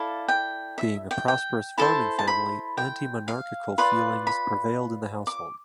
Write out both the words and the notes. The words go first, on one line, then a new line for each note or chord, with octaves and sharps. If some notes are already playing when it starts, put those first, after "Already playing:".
Being a prosperous farming family, anti-monarchical feelings prevailed in the household.
Already playing: E4 A4 D5 F5
G5
E5
G5
G5
E4 A4 C5 A5
A5
B5
G5
F5
F4 B4 D5
B5
D6